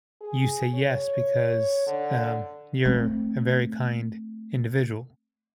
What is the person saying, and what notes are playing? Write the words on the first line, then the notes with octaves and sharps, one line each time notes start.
you say yes because, um, you're a very kind individual,
G#4
C#5
D3
A3 C4